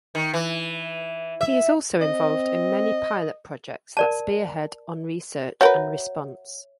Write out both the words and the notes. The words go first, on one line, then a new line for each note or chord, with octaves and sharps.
He is also involved in many pilot projects that spearhead on research and response.
D#3
E3
E5
C4 D#5
A#4 D5 A5
F#4 A#4 B4 C#5 E5